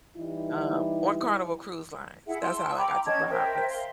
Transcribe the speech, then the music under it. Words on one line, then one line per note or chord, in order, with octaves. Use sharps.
uh, on Carnival Cruise Lines. That's how I got to Bahamas.
E3 G3 D#4 E4
E4 G#4 E5 F#5
A5 C6 E6
G5 A#5 B5 D6
C#4 D#5 A5 G#6
A#4 C5 E5 G5
F5 C6